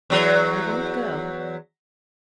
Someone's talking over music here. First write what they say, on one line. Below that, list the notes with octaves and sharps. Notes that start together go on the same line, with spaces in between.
You won't go.
E2 F#3